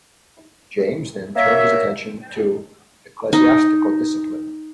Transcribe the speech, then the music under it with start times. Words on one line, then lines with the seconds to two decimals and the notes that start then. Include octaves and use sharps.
James then turned his attention to ecclesiastical discipline.
1.36 A#3 C#5 E5
3.33 D#4